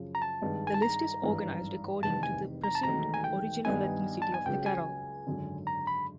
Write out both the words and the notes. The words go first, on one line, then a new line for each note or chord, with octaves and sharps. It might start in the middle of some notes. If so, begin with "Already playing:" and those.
The list is organized according to the presumed original ethnicity of the carol.
Already playing: F#2 C#3 F3
A#5
A5
G2 D#3 G#3
G#5
A5
A#5
G#1 G2 E3
F1 E2 C3 D#3 A5
G#5
A#5
A5
E1 D#2 D#3 F#3 A3 A#5
G#5
G5
G2 D#3 G3 B3 D#4 G#5
A5
G#5
C#2 C#3 F#3 G5
G#5
G#1 F#2 D3
A#5
B5